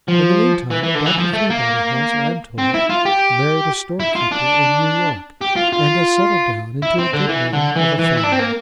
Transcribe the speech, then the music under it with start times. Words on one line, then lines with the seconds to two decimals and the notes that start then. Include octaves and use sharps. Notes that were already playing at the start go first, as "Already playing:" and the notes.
In the meantime, Dr. Fleabody has, I am told, married a store-keeper in New York, and has settled down into a good mother of a family.
0.08 F3
0.71 E3
0.83 E3
0.95 D3
1.06 E3
1.18 F3
1.33 A3
1.50 A#3
2.59 C4
2.75 E4
2.90 F4
3.06 G4
4.00 E4
4.15 F4
4.32 D4
5.42 G4
5.56 F4
5.73 F4
6.82 E4
6.99 C4
7.14 D3
7.29 E3
7.53 D3
7.76 E3
7.99 E3
8.17 E4
8.24 D4
8.32 C4
8.40 A#3